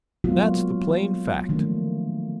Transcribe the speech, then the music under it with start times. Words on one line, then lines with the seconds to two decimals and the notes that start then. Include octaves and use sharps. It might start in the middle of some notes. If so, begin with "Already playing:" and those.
That's the plain fact.
0.24 F#3 G#3 A#3 B3 F4 F#4
1.49 D3 D#3 F3 A3 A#3 D4